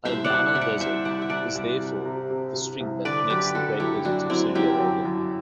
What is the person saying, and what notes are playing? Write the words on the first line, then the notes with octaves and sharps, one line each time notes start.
Al-Dahna Desert is therefore the string that connects the great deserts of Saudi Arabia.
C2 C5 E5
D5 F#5
C2
C2 E5
D5 F#5
C2 C5 E5
C2 D5 F#5
E5
C2 D5 F#5
C2
C3
C3
C3
C3
C2
D3 B4 D5
F#2 G4 B4
D3 F#4 A4
F#2 E4 G4
F#2 D4 F#4
F#2 C4 E4
F#3 E4 G4
F#2
F#2